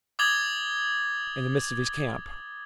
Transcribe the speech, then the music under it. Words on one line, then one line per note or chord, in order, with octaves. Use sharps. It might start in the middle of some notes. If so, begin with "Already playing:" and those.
"In the midst of his camp."
D6 D#6 G#6 A6 F7 G7